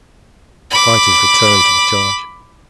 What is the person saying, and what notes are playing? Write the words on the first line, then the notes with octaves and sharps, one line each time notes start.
The fighters returned to the charge.
B5 D6